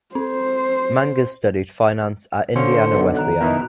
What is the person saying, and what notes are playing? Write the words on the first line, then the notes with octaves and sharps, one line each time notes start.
Mangas studied finance at Indiana Wesleyan.
C4 C5
D3 C#4 C5 F5 C6 C#7
B1
D#3 A#5 F#6
B2 D#4 E4 A#4